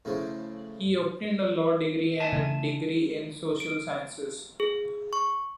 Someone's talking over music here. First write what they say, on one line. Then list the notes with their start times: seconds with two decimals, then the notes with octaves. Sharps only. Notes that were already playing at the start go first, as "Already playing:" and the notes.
He obtained a law degree and a degree in Social Sciences.
0.05 A2 C#3 F3
2.20 E5 G#5 A5
2.32 C#3 E3 A3
3.60 D7
4.60 G#4
5.13 C#6